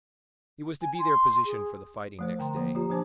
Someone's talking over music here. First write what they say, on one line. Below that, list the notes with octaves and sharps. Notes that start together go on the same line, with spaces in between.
It was to be their position for the fighting next day.
G#5
C6
G#4
F3 A3 C5
D3 G5 A#5 C6
F3 A#3 C5
F3 F4 G4 A#5
F3 D4 C5 G#5 A5 D6